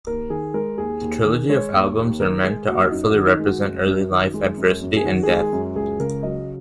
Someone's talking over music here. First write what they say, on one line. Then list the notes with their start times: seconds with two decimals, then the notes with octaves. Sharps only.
The trilogy of albums are meant to artfully represent early life, adversity, and death.
0.06 D#2 A#4
0.30 D#3 G#4
0.54 G#3 A#4
0.78 D#2 G#4
1.01 D#2
1.25 D#3
1.49 G#3 C#5
1.72 D#2
1.96 D#2
2.20 D#3 A#4
2.44 G#3 G#4
2.68 D#2 F#4
2.91 F#2 D#4
3.10 D#3 F#4
3.26 D#4
3.39 G#3
3.45 F#4
3.62 F#2
3.86 F#2
4.10 D#3
4.34 G#3
4.57 F#2
4.81 F#2
4.97 G#4
5.04 D#3 F#4
5.23 G#4
5.28 G#3
5.41 G#4
5.52 F#2
5.75 C#2 G#4
6.00 C#3 A#4
6.23 F#3 D#5